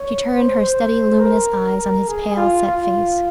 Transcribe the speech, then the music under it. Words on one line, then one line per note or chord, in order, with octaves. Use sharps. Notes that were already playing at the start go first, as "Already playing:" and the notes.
She turned her steady luminous eyes on his pale, set face.
Already playing: C#5
C5
C5
A#4
A#4
G#4
F4
F4